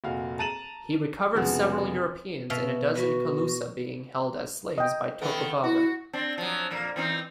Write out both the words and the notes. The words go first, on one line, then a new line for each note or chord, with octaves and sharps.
He recovered several Europeans and a dozen Calusa being held as slaves by Tocobaga.
F1 A#2 F#4 F5
A5 A#5 A6 D#7 E7 F#7
F1 G#2 C#3 F3 B3 F#4
B2 E5 F5
F#4 B4
D#5 G5
D#3 A3 B3
E4 F#4
C4 D4
F3 F#3
F2 A#2 A#3
E3 C4 D#4